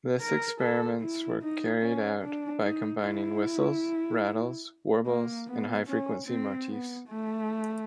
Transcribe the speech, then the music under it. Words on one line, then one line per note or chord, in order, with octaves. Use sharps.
This experiments were carried out by combining whistles, rattles, warbles, and high-frequency motifs.
A#4
A4
E4
D#4
C#4
D4
D#4
E4
A#3
B3
C#4
C4
B3
A3